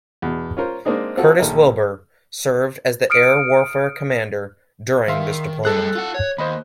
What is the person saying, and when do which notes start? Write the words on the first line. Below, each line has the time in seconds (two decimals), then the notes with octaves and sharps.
"Curtis Wilbur" served as the Air Warfare Commander during this deployment.
0.22 E2 B2
0.57 C#4 F4 A#4 C5
0.85 G#3 A#3 C4 D4 D#4 G#4
1.17 C4 F4 F#4 A4
1.39 A#1 D#3 A4 A#4 E5
3.10 D#6 F6 C#7 D7
5.08 D#3 E5 F5 C6
5.65 G3 G#4 A4 F#6
5.95 F4 F#5
6.14 C#5
6.38 D#2 C5 D#5 B5